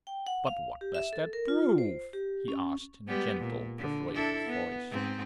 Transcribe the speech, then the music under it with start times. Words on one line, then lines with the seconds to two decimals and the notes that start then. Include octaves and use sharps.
"But what does that prove?" he asked, in a gentle, persuasive voice.
0.07 G5
0.27 F#5
0.47 F5
0.81 G4
0.94 E5
1.13 A4
1.33 A#4
1.48 F4
1.78 C5
2.13 G4
2.48 C#4
3.08 G3 G#3 B3
3.40 A#2
3.78 D3
4.15 D4 E4 A4
4.47 B3
4.91 G#2 C4